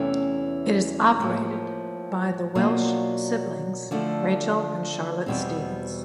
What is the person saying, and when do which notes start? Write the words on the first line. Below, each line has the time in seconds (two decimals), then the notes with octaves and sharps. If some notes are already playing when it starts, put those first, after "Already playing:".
It is operated by the Welsh siblings Rachel and Charlotte Stevens.
Already playing: E2 C3 E3 A3 C#4
1.19 A2 F3 A#3
2.55 B2 F#3 A#3 D4 F4
3.91 D3 F3 A3 D4
5.26 E2 B2 G3 C4